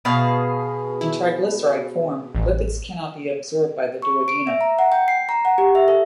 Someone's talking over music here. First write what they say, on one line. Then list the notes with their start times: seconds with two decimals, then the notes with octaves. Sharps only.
In triglyceride form, lipids cannot be absorbed by the duodenum.
0.05 B2 G#4 F5
1.01 E4
2.35 A1
4.02 C#6
4.28 D7
4.47 E5
4.61 A#5
4.79 F#5
4.92 G5
5.08 C7
5.29 A#5
5.45 F#5
5.58 G4
5.75 E5
5.88 A4